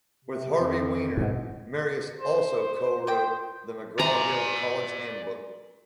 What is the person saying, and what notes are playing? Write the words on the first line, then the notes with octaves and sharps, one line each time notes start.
With Harvey Wiener, Marius also co-wrote the McGraw-Hill College Handbook.
C3
F2
G#2 B2
C5
C5 G5
D5 G#5 A#5